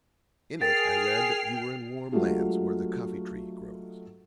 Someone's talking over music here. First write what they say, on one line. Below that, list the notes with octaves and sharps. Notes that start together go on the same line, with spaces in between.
In it I read that you were in warm lands where the coffee-tree grows.
G#4 A#4 G5 F6 A6 C7
F#3 G#3 A3 D4 F4 G4